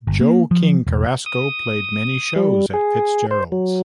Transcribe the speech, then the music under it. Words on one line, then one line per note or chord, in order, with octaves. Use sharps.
Joe King Carrasco played many shows at Fitzgerald's.
G1
A#3
F3
E1
D#6
G3
G#4
C5
F#3